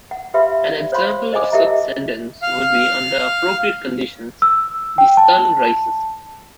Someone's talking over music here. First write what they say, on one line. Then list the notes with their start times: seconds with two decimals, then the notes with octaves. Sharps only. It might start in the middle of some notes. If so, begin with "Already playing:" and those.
An example of such a sentence would be Under appropriate conditions, the sun rises.
0.11 F#5
0.34 G4 B4 E5 F5 B5 C6
0.67 D5
0.92 C5 C#5 F5 B5 C6
1.32 C5 D5 D#5 F5 G#5 D6
1.52 G4 A#4 D#5 E5 A5 A#5
2.42 F5
4.42 E6
4.98 G5
5.17 A5